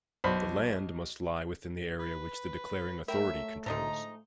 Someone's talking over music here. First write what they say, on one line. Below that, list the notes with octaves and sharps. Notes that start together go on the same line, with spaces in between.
The land must lie within the area which the declaring authority controls.
B1 C5 B5
B4
F#3 A3 A#4 E5 G5 B5
A2 D3 F3 G#3 D#4 A#5